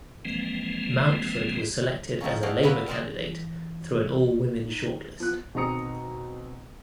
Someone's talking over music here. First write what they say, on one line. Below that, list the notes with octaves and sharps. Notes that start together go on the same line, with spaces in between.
Mountford was selected as a Labour candidate through an all-women shortlist.
E3 F3 G#3 A#3 C4
D#3 F3 A3 A#3 C#4
A3 F#4 G#4 D5 D#5 F5
A#3 B3 C#4 E4 A#4 B4
D#3 G#3 A#4 C5 D5 D#5
E3
D#4
F3 B3 F#6
B2 D#3 C4 A#5 D#6 C#7